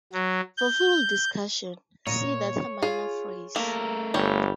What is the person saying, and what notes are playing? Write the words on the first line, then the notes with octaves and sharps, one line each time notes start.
For full discussion, see Determiner phrase.
F#3
G6
A#2 C#5 D#5
F4 G#4
A3 A#3 A#4
G1 G3 C#5